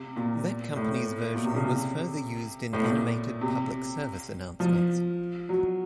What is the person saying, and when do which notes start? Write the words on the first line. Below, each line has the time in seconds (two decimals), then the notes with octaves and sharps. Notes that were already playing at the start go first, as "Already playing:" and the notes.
That company's version was further used in animated public service announcements.
Already playing: C3
0.16 A#2
0.76 A2
1.34 A#2
1.44 C3
1.54 C#3
1.64 C3
2.73 A2
2.83 A#2
3.41 C3
4.60 F3
5.49 F#3